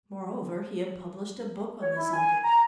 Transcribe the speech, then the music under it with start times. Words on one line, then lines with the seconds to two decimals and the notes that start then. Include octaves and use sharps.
Moreover, he had published a book on the subject.
1.81 C#5
1.96 E4
2.13 G#5
2.44 A#5